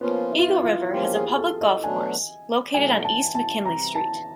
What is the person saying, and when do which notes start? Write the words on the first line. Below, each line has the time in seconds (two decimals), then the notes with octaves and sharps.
Eagle River has a public golf course, located on East McKinley Street.
0.01 F3 A#3 B3 C#4 F4
0.31 E4
0.39 F4
0.47 E4
0.62 F4
0.92 F3 A#3 C#4 F4 G4
1.14 G#4
1.38 A4
1.61 D#5
1.83 B2 F#3 A3 D4 G#5
2.74 B2 F#3 A3 D4 G#5
3.05 A5
3.35 A5
3.65 C3 E3 G3 C4 A#5
3.95 A5